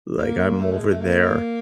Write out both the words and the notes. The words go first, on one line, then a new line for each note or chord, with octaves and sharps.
Like, I'm over there
A#3
A3
G#3
A3
A#3